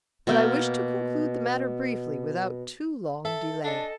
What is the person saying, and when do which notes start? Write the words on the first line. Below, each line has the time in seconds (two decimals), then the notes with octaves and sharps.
But I wish to conclude the matter briefly without too long delay.
0.27 B2 A#3 G5
3.25 A4 E5
3.64 D4 A4 D#5 G#5